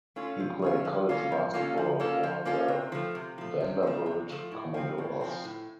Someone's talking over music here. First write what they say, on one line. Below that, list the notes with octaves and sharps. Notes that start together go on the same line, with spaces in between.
He played college basketball for the Vanderbilt Commodores.
A3 C#4 F4
F3
A3 C#4 F4
F3
A#3 C#4 F4 A4
F3
A#3 C#4 F4 A4
F3
A#3 C#4 F4 A4
F3
A#3 C#4 F4 A4
C3
F3 A3
C3
F3 A3
C3
F3 A3
C3
F3 A3
A2
F3 C4
A2
F3 C4
A2